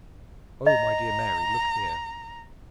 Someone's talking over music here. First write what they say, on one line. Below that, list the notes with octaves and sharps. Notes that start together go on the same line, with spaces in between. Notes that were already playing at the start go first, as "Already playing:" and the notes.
Oh, my dear Mary, look here!
D#5 A#5